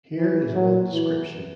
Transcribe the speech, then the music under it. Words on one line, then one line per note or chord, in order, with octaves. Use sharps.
Here is one description.
E3
F#3
E3